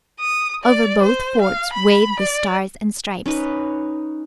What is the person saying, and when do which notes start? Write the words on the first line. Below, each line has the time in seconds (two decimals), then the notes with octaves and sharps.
Over both forts waved the Stars and Stripes.
0.21 D#6
0.64 D5
1.03 C5
1.42 F5
1.73 B5
2.20 D5
3.26 C#4 D#4 B4